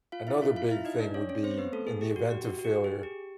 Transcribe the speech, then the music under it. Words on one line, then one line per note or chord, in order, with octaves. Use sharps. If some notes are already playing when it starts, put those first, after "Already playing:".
another big thing would be in the event of failure,
F4 F5
E4 E5
F4 F5
F4 F5
E4 E5
D#4 D#5
D4 D5
C#4 C#5
C#4 C#5
C4 C5
B3 B4
A3 A4
G#4
G4
F#4
G4
F#4
F#4
G4
G#4
G4